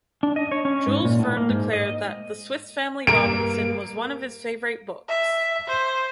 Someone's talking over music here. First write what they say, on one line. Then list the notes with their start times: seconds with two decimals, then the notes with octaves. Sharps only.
Jules Verne declared that "The Swiss Family Robinson" was one of his favorite books.
0.23 D4
0.36 D#5
0.51 C#5
0.65 C#4
0.87 G#2
1.05 A#2
1.19 A2
1.37 A#3
1.50 G#2
1.73 D#5
3.07 G2 A#3 A#4 D7
5.08 E5
5.67 C5